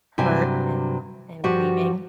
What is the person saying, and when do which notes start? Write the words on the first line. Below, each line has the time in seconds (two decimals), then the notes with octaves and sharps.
hurt and and grieving,
0.18 G2 C3 F#3 G#5
1.44 G2 F3 F#4 G4 F#5